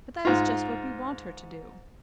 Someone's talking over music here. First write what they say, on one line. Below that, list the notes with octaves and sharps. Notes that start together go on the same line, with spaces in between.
But that is just what we want her to do.
G#2 F4